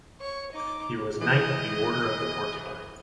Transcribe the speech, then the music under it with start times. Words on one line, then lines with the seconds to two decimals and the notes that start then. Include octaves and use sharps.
He was Knight of the Order of the Porcupine.
0.21 C#5 C#6
0.52 D#4 D6
1.21 E3 D#5